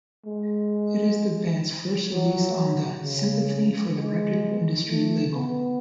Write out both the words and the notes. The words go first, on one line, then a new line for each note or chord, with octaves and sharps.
It is the band's first release on the "Sympathy for the Record Industry" label.
G#3
F#3
C#3
G#3
A3
B3